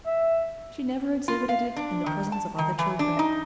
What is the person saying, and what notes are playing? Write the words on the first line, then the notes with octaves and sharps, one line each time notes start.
She never exhibited it in the presence of other children.
E5
F4
F5
D4
D#3
A5
D#3
E3
D4
D#4